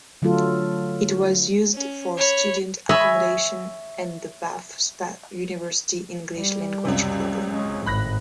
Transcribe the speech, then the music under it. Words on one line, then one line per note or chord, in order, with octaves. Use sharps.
It was used for student accommodation and the Bath Spa University English Language Programme.
D3 F#3 A3 F4 A4
C#4
C#5 B5
C#5 D#5 E5 G#5 B5
G3
C#2 F#2 C3
G#3 C#4
G#1 A2 B5 F#6 A#6